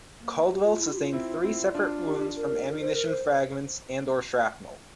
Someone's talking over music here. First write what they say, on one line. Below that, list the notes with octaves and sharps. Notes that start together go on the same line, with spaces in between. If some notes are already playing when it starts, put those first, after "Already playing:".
Caldwell sustained three separate wounds from ammunition fragments and or shrapnel.
A#3
G4
F4
E4
G4
F4
C4 E4
C4 E4
D4 F4
G4
A#4
A#4
C5
A#4
C5